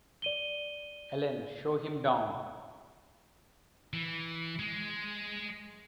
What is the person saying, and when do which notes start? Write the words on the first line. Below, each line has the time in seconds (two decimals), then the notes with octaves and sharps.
Ellen, show him down.
0.22 D5 D#7 G7
3.93 E3
4.59 G#3